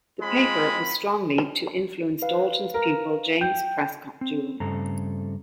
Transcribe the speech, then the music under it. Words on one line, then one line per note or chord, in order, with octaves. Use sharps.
The paper was strongly to influence Dalton's pupil James Prescott Joule.
G#3 C4 F4 B5
B4 F5
A#4
G5 G6
C4
G2 C#3 A3 C4 A4 A#5